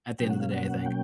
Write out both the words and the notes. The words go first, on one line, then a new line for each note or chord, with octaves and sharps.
at the end of the day, I think.
B2 F#3 A#3 C#4 G5
F#5
F5
F#5
G5